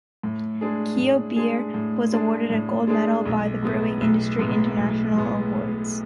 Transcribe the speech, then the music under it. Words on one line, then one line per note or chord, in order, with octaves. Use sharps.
Keo beer was awarded a Gold Medal by the Brewing Industry International Awards.
A2
G#3 D4 G#4
A2
G#3 D4 G#4
A2
G#3 D4 G#4
A2
G#3 D4 G#4
B1
A2 G#3 B3
B1
A2 G#3 B3
B1
A2 G#3 B3